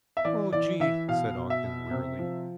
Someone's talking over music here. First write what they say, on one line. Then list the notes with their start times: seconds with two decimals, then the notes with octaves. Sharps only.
"Oh, Gee," said Ogden wearily.
0.17 E5
0.25 E3 D5
0.53 E3 D5
0.80 E3 E5
1.08 B2 F5
1.36 B2
1.50 E5
1.64 B2
1.91 C3
2.19 F3